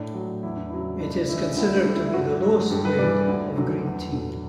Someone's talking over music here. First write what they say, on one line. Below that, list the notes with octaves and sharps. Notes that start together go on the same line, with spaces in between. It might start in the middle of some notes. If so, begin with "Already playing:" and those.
It is considered to be the lowest grade of green tea.
Already playing: A2 D4
F#3
E2 E4
D4
C#3 F#3 E4
C#2 D4
D4
C#3 E3 E4
D4
D2 E4
D4
D3 G3
E4
E4
G2 F#4
F#3
G2 G4
B4
E3 G3 D5
D2
D3 F#3
E2
D3 F#3